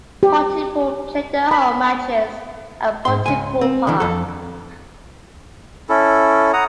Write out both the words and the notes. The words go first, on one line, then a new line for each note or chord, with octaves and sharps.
Pontypool play their home matches at Pontypool Park.
G4
B5
G#2 C6
C#2 G#5
C4
D3 E3
F2 A4
C#4 E4 A4
F#5 A#5 D#6